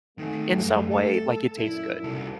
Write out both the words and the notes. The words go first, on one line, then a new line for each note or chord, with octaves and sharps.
in some way, like, it tastes good.
D#3 A3 G#4
F#2 G3
A4
F#2 A#2 E4
C2 A4